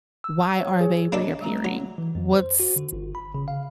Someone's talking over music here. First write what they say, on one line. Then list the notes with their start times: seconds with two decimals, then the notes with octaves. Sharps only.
"Why are they reappearing? What's
0.24 E6
0.59 C#5
0.81 G#4
1.12 A#3 D4 A4 C#5 D#5
1.41 G3 A3 A#5
1.65 F#3
1.98 E3
2.15 F2
2.33 C5
2.60 F#4
2.76 D3
2.93 G1
3.15 B5
3.34 C#3
3.48 F5